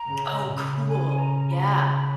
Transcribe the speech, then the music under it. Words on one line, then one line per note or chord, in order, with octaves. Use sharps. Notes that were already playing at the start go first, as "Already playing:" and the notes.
Oh, cool. Yeah.
Already playing: A#5
C#3
C#3 B5
G#5
A#5
B5